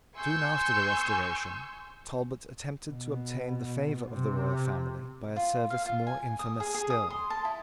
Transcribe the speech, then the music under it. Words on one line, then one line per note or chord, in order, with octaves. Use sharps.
Soon after the Restoration, Talbot attempted to obtain the favour of the royal family by a service more infamous still.
G#5 C6 C#6 E6 G6
B2
C3
F4
F5
F4
G#5
D#6
G#4
G#4
D#6
C6
A5
E4